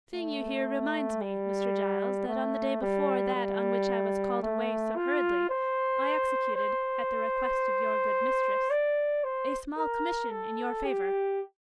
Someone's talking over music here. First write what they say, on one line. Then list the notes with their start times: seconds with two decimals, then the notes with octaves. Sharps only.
'Seeing you here, reminds me, Mr. Giles, that on the day before that on which I was called away so hurriedly, I executed, at the request of your good mistress, a small commission in your favour.
0.14 A3
1.21 G3
2.28 A3
2.82 G3
3.35 G3
4.42 A3
4.96 F4
5.50 C5
6.56 C5
8.70 D5
9.24 C5
9.78 A#4
10.30 A4
10.85 G4